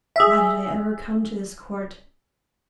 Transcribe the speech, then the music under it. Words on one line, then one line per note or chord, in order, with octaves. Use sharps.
Why did I ever come to this court?
G#4 E5